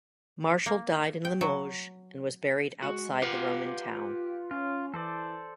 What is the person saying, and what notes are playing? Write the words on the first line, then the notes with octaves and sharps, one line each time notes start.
Martial died in Limoges and was buried outside the Roman town.
A#3
G5
F#3
G#3 F#4
F4 G4 B4 F5 F#5
C#4 F4
E3 A4 C5 D5